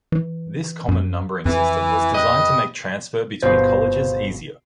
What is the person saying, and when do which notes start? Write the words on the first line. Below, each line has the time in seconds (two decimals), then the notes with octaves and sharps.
This common numbering system was designed to make transfer between colleges easier.
0.12 E3
0.88 F#2
1.46 F2 E3
2.14 G4 B4 D#5
3.43 G1 B2 F4 C5